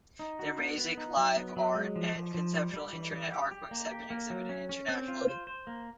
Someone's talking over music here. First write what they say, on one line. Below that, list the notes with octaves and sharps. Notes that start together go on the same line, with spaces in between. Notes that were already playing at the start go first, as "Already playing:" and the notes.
Their music, live art and conceptual Internet artworks have been exhibited internationally.
D#4
F#4
B3
B3
D#4
F#3
B3
F#3
G#3
F3
F3
F3
G3
G3
E3
G3
G4
G4
A#3
G4
A#3
F#3
C#4
C#4
C4
F4
C5
C5
A#3